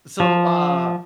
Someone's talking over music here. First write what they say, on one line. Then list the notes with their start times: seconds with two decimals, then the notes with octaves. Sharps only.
So, uh,
0.20 F3